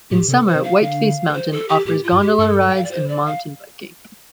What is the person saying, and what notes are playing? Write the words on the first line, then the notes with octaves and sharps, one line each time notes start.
In summer, Whiteface Mountain offers gondola rides and mountain biking.
A2 G4
C3 A4
C5
C3
F5
D3 F5
A4
C5
A4
G4
A2 G4
F4
G2
G4
G2 A4
G5
F5
D5
C5
D5
F5